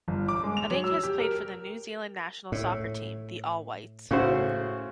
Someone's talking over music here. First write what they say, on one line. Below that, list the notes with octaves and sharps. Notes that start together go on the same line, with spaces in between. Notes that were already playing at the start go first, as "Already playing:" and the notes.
Utting has played for the New Zealand national soccer team, the "All Whites".
G1
D6
G#3
F7
F#3
E6
G4
A#4
A2
A2 C#3 F#4 C5